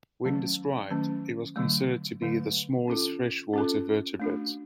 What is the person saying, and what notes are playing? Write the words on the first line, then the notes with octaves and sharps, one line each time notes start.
When described, it was considered to be the smallest freshwater vertebrate.
D#3 F#3 A3 C#4
D#3 F#3 A3 C#4
D3 F#3 A3
D3 F#3 A3
C#4 F4 A4
C#4 F4 A4
A3 D4 F#4